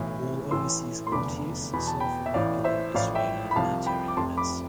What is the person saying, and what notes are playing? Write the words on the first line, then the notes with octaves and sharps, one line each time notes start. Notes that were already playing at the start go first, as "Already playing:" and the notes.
All overseas volunteers serve in regular Israeli military units.
Already playing: B1 A2 E3
A1 A2 E3 C6 E6
C6
F1 E2 D3 B5 D6
E2 B2 B5
A5
G5 B5
E5
A1 A2 E3 D5 F5
C5 E5
A1 A2 F3 D5 F5
E5 G5
B5
C2 C3 F3 F5 A5
G5 B5
D6
F1 F2 C3 A5 C6
B5 D6